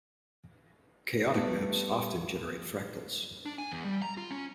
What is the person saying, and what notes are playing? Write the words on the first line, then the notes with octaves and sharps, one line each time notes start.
Chaotic maps often generate fractals.
G3 A3 B3
D4
G#5
E2
G3
A#5
F4
C#4